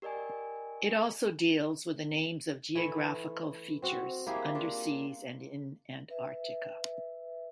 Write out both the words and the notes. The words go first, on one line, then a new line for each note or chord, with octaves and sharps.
It also deals with the names of geographical features underseas and in Antarctica.
G4 A#4 D5 D#5 G#5
E3 A3 E4 E5
C4 F#4
A#3 E4 G4 G#4
D4 F4 A#4
B4 E5